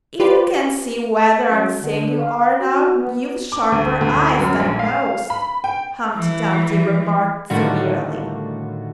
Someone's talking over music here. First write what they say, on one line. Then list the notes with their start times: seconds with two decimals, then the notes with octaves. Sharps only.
'If you can SEE whether I'm singing or not, you've sharper eyes than most.' Humpty Dumpty remarked severely.
0.20 F4 G4 B4 D5
1.48 F#2
1.82 D3
2.19 F5
2.61 F#4
2.96 B3
3.52 D6
3.72 D2
4.01 D2
4.39 F#2
4.60 A#1
4.79 F5
5.30 B5
5.64 G5
6.16 E3
7.50 A2 D3 D#3 G3 F4 F#4